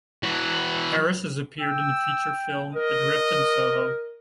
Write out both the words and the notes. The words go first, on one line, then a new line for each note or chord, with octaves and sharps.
Harris has appeared in the feature film "Adrift in Soho.".
E3 F#4
G5 E6
A#4 D#5